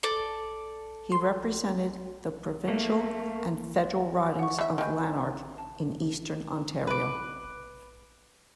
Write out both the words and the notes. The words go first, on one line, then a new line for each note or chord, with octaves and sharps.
He represented the provincial and federal ridings of Lanark in eastern Ontario.
A4 D5
C6
A3 A#3
F#5 C#6
E3 E5
D#3 E3 G5 G#5 G6
A5
B4 D6